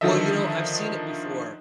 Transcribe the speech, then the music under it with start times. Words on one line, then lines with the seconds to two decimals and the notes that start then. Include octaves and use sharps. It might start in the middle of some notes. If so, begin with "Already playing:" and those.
Well, you know, I've seen it before
0.01 D3 D#3 F3 A4 D#5 E5